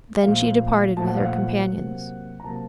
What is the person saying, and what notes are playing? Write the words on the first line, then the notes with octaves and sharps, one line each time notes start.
Then she departed with her companions.
A#2 F3 A3 F5
A#2 F3 A3 A5
F#5
F5
F#5
C3 F#3 A#3
A#5
C3 F#3 A#3 A5